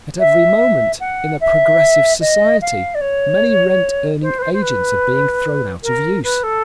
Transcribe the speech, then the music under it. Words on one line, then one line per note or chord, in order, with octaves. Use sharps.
At every moment, in a progressive society, many rent-earning agents are being thrown out of use.
E5
F#5
E5
D#5
F5
D5
C#5
C5
B4
C5
C5
B4
A#4
B4
A4